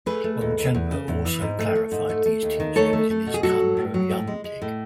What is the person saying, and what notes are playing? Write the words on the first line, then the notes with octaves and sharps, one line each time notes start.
Longchenpa also clarified these teachings in his Khandro Yangtig.
A3 G#4 B4
A3
D#2
D#2
E2
C#3
E2
E3
G#2
A3
A3
G#2
A3
A3
D#2
D#3
A3 A4 C#5
A3
A3
B2
G#4
F#3 F#4 A4
F#3
A2
F#3
A2
G#3
G#3
A2